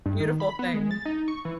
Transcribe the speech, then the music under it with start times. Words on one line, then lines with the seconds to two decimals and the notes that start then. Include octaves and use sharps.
beautiful thing.
0.06 G2
0.20 D#3
0.40 B5
0.59 B3
0.74 G#3
0.91 A6
1.06 D#4
1.28 C#6
1.45 E3